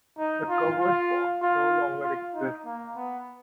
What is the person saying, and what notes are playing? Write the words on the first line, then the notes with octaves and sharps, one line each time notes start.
The covered walk no longer exists.
D#4
F4
F4
F4
F4
D#4
A#3
B3